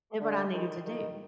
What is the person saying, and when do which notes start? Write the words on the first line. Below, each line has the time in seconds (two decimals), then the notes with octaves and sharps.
did what I needed to do.
0.20 D3
0.53 D#3
0.86 D#3